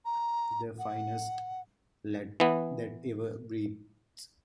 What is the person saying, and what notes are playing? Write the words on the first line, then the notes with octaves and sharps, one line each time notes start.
The finest lad that ever breathed!
A#5
F#5
E3 B3